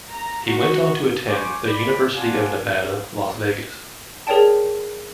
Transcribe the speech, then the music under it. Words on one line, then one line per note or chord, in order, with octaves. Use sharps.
He went on to attend the University of Nevada, Las Vegas.
A#5
F#4
C5 G#5 C#6 D6
D5 B5
F4 G#4 D5 F#5 G#5 A5
G#4 A#4 C#5 D5 G5 A5